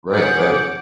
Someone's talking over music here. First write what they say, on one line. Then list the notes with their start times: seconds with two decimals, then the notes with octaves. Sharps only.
Right, right.
0.12 G#4 C#5 F#5 D6 G6